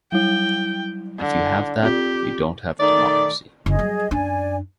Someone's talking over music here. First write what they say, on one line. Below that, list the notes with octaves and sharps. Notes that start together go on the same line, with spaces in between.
If you have that, you don't have democracy.
F#3 G3 E4 G5
D3
C4 F4 G4
D#3 A3 D5
F#1 G#4 D#5
F#3 G3
F#2 D4 D5 G#5